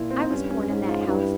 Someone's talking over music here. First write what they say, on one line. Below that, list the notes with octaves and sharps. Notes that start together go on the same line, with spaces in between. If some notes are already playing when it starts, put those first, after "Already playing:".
I was born in that house.
Already playing: A#2 E4 F4
C4
G2 C#4
C#4
G#2 C#4
F4
G2 E4